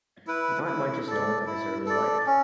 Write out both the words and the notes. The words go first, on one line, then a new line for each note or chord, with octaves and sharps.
Not much is known of his early life.
E4 B4
E4
A4 D5
E4
A4 D5
C#4